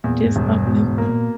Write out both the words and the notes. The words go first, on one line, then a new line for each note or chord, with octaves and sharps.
just something
E2 A#2
G#2
E1
G2
G#2 B2
G#2
A#3
A#2